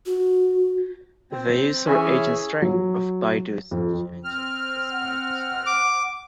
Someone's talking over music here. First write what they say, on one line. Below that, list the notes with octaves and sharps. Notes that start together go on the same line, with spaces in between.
The user-agent string of Baidu search engine is "Baiduspider".
F#4
C4
E3 C#4 G#4 E5 G#5
F#3
F2
C4 F6
F#5
D6